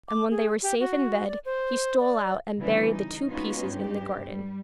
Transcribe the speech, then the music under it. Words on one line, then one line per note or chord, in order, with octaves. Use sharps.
And when they were safe in bed he stole out and buried the two pieces in the garden.
D6
G#4
G4
F#4
D5
C5
D5
D2 C#3 E3 G3 B3 D4
D#4
G#3 B3 C#4 D#4 F4 F#4
G2 G4
G3